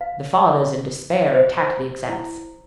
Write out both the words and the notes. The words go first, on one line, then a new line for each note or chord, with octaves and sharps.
The fathers, in despair, attacked the exempts.
F5
C5
E4